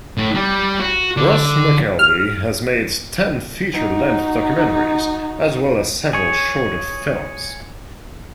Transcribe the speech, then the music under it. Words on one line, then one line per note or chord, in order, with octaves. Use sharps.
Ross McElwee has made ten feature-length documentaries as well as several shorter films.
A2
G3
F#4
D3
F6
D#4 F#4
G#4 C#5